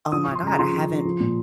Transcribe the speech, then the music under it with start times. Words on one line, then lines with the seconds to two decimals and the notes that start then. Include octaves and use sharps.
"Oh my god. I haven't"
0.12 F3 D#6
0.24 F3 C#6
0.35 C6
0.43 C#3 A#5
0.59 F3 C6
0.74 F3
0.89 C#3
1.05 F3
1.20 A#2